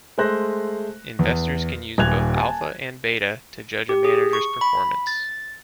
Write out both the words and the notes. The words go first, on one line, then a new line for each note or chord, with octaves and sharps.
Investors can use both alpha and beta to judge a manager's performance.
G#3 A3 C5 F#6 A#6
E2
D#1 G#5 F#6 G#6 F7
G#5 A5
G4
G#4
C#6
B5
A6